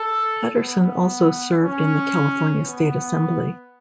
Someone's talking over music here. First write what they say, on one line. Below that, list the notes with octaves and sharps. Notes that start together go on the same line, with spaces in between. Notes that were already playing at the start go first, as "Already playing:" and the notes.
Patterson also served in the California State Assembly.
Already playing: A4
B3
C#4
B3